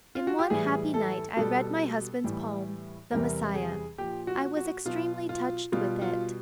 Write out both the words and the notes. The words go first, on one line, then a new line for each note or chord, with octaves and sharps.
In one happy night I read my husband's poem, 'The Messiah.' I was extremely touched with it.
F4
F#4
G4
A2 E3 G3 G#4
A4
B2 G3 A4
A2 E3 G3
E2 C3 E3 G3 A#4
G#4
A#2 F3 G4
F#4
F#4
B2 F#3 F4
F4
B2 G3 F4
F4